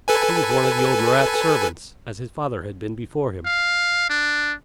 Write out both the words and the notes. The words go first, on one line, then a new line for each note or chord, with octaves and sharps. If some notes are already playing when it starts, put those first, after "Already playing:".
He was one of the old Murat servants, as his father had been before him.
A4 B4 G#5
F5
D4